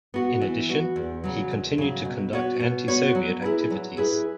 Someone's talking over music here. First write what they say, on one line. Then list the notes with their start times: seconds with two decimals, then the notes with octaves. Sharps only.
In addition, he continued to conduct anti-Soviet activities.
0.14 B3 F#4
0.42 E3
0.69 B3 F#4
0.96 E2
1.24 C#3 F#3
1.51 E2
1.78 C#3 F#3
2.05 B2
2.33 B3 F#4 C#5
2.60 B2
2.88 B3 F#4 C#5
3.15 F#3
3.42 E4 G#4 B4
3.70 F#3
3.97 E4 G#4 B4